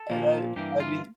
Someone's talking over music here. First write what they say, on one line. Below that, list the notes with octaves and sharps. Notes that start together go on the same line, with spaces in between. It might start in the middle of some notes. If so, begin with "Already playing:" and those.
And I I mean
Already playing: A4
A#2 F3 A#3
G2 E3 A#3 G4
F4